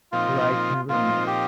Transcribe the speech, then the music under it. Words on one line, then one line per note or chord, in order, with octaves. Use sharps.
Wright never married.
A#2 F3 C4 D#4 F4
A#2 F3 C4 D#4 F4
G4